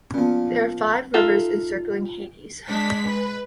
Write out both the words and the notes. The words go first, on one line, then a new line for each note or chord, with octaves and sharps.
There are five rivers encircling Hades.
A#2 F3 B3 C#4
D#4 F4 A4 E5
G#3 D4 B6
B4